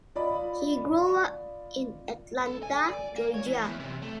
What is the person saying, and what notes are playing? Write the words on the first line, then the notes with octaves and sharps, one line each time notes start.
He grew up in Atlanta, Georgia.
F4 D5 D#5 B5
A4
G#5
D5
A#3
C#5
E3
E2
C3
A3